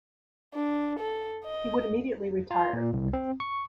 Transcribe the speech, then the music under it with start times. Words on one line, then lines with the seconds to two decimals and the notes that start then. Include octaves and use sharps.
He would immediately retire.
0.55 D4
1.00 A4
1.45 D#5
2.51 F4
2.73 A#2
2.93 C2
3.13 C4
3.40 C#6